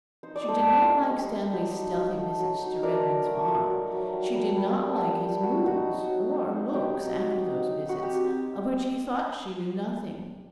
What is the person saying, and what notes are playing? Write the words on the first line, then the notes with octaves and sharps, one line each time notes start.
She did not like Stanley's stealthy visits to Redman's Farm; she did not like his moods or looks after those visits, of which he thought she knew nothing.
D#4 C5
D5
G3 A4 C5
D#4
D#4
G3
G3
F#3 C5 D#5
D#4
F#3
A3
F#3
D#4
A3 A#4 D5
F#3
A3
A3
F#3
F#3
G3
G3
G3
D4
G3
G3
C4 F#4
D#4 F#4
F#3
F#3
C4
D#4
F#3 G4
D#4
D#4
D#4
F#3
D#4
F#4
C4 G4
C4